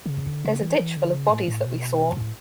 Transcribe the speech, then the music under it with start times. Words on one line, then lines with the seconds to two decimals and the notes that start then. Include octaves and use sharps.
There's a ditch full of bodies that we saw.
0.06 D3
0.10 C#3
0.28 D3
0.45 C#3
0.62 E3
0.79 E3
0.97 D3
1.14 C#3
1.31 A2
1.48 A2
1.66 B2
2.17 A2